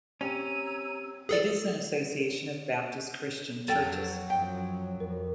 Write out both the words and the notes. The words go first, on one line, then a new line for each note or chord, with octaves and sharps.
It is an association of Baptist, Christian churches.
C4 C#4 G4 C#5 A#5 E6 G#6 D#7
G#4 A4 D5
F2 F#3 A4 G5 A6
F#2 F3 G5
F2 A#4